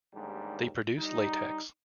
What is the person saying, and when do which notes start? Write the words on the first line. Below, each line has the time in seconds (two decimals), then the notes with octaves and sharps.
They produce latex.
0.14 A1 D#2 G#2 G3 D4
0.98 G3 D#4